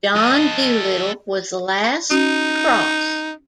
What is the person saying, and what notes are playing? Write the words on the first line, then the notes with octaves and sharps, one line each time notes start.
John Dolittle was the last to cross.
A4 D#5
C#4 D#4 F#4 D#6